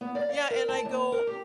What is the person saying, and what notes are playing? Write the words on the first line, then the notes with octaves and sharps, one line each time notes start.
Yeah, and I go
B3
D5
F5
A#4
A5
D#2
A#4
G4